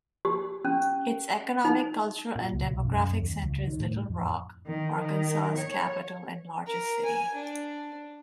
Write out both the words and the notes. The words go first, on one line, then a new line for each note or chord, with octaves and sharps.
Its economic, cultural, and demographic center is Little Rock, Arkansas's capital and largest city.
G4
C#4
D#4
A#2
C#2
B1
F#2
D#2
C#2
D#3
A2
F2
D#3
D#3
C#5
A#4
G#5
D4